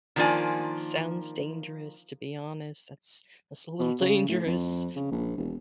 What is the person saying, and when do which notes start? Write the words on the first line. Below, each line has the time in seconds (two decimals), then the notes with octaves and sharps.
That sounds dangerous, to be honest. That's that's a little dangerous
0.16 D#3 F3 A#3 D4 F4 G#5
3.79 B2
4.00 C#3
4.29 A2
4.46 F2
4.96 C#3
5.12 A#1
5.37 E1